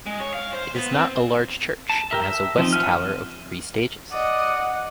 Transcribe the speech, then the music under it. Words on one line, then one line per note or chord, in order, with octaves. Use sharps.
It is not a large church and has a west tower of three stages.
G#3
C#5
F5
C5
B3
C4
A5
G4 A#4 E5
E5
F3 C4 D#4
E5 F#5 G#5 F6
D5 D#5 F#5